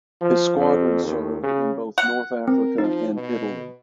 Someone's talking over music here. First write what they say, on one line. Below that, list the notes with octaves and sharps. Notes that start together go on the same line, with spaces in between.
His squadron served in both North Africa and Italy.
F3
F2
D#2
C#3
F#5
C4 A#4
F3 D#4
B2